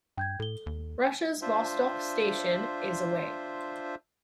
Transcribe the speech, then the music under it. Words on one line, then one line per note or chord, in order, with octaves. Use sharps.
Russia's Vostok Station is away.
G2 G5 G6 G#6
A2 A4 G7
D#2
D4 F4 C5 E5